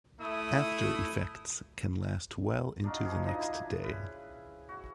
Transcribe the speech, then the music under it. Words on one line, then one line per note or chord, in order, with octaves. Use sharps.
After effects can last well into the next day.
A3 E4 D#6
D4 D#4 F4 F#4
F3 G#4
D4 D#4 D#5
E4
C#3 B4
F#4